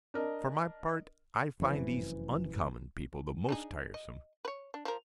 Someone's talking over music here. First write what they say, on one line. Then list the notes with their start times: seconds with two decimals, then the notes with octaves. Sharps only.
For my part, I find these uncommon people the most tiresome.
0.14 D4 A#4 D#5
1.60 F1 F#2 E3 C4
3.49 D4 D#4 G#4
3.94 D#5
4.45 B4 C#5
4.74 D4
4.85 F3 A#4